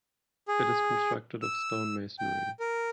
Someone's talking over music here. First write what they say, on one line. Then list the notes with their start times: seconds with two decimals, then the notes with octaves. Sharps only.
It is constructed of stone masonry.
0.48 G#4
1.42 E6
2.19 G5
2.60 A#4